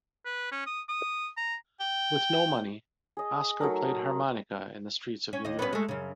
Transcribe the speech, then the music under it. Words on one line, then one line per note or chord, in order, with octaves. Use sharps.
With no money, Oskar played harmonica in the streets of New York.
B4
C#4
D#6
D#6
A#5
G5
G#4 D#5
F#3 A3 D#4 A#4
C#4
D#2 D#5
B3 C#4 B4
G#3 A3
F#2 C#3